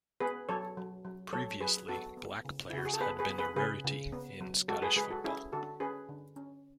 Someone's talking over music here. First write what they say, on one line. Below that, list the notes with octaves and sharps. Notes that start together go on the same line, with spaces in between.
Previously, black players had been a rarity in Scottish football.
B3 G#4 B4
F#3 A4 C#5
F#3
F#3
F#3 A4 C#5
F#3 G#4 B4
B3 F#4 A4
B3
C#3
E4
C#3 F#4
G#4
A4
B3 G#4 B4
G#4 B4
B3
G#4 B4
C#3 G#4 B4
C#3
B3
F#3
G#3 F#4 A4
G#4 B4
G#3 G#4 B4
F#4 A4
C#4 E4 G#4
D3 F#4 A4
C#4 G#4 B4
D3
C#4